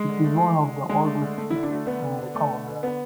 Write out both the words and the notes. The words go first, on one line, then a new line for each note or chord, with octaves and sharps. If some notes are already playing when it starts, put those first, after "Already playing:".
It is one of the oldest cities in the Commonwealth.
Already playing: G#3
D3
A3
E4
D3
D3
D3 G#3
A3
D3
D3 A3
D3 E4
D4
A3
D3 B3
D3
D4
A3
D3
D3
D3 B3